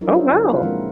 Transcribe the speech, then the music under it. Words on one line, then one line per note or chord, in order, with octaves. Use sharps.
Oh, wow.
F#3 D4 E4 A#4 B4 D#5
F4 G4 C5 C#5 E5
C#3 E4 A4 B4
F4 A4 F5 F#5
A#2 F3 G#3 C4 E4 A#4